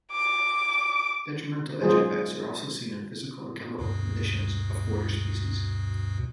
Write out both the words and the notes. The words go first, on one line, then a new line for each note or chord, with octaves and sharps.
Detrimental edge effects are also seen in physical and chemical conditions of border species.
D6
F#3 G#3 F4 G#4 C5
D2 G2 B2